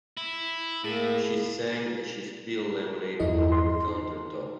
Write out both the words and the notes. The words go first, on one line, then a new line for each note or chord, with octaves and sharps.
She sang as she spilled lemonade all over the countertop.
E4
A2 A#3 G#4
E2 G2 F3 E4 D#5
C6
D#4